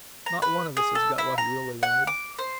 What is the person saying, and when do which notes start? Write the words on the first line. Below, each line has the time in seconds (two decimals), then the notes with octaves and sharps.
Not one of us has got what he really wanted.
0.26 A#5
0.42 B4
0.77 G#4
0.95 A4
1.18 E4
1.38 A#5
1.83 F#5
2.07 D6
2.39 C5